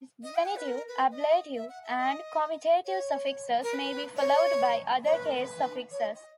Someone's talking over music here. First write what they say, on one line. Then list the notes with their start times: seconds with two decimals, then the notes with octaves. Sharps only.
Genitive, ablative and comitative suffixes may be followed by other case suffixes.
0.23 D#5
0.36 G#5
0.45 F#5
0.56 B4
0.67 A#4
0.88 B4
1.11 D#5
1.55 E5
1.69 F#5
1.83 E5
1.98 D#5
2.85 C#5
3.63 A#4
3.74 B4
4.16 C#5
5.05 C#5
5.14 B4
5.25 A#4
5.34 B4
5.91 C#5
6.14 D#5